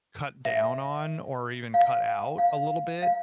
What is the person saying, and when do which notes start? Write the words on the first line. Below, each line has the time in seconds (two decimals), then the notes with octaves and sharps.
cut down on, or even cut out a little bit,
0.45 E5
1.74 F5
2.38 F5
3.02 F5